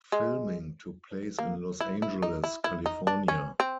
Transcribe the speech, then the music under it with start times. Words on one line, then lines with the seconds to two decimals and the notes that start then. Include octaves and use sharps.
Filming took place in Los Angeles, California.
0.12 G#3
1.38 A#3
1.80 E4
2.02 E4
2.22 D#4
2.44 E4
2.64 E4
2.86 D#4
3.07 D4
3.28 C#4
3.60 C4